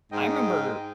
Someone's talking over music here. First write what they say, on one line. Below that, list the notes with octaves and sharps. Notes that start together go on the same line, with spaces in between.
I remember
G#2 D#5 G5 D#6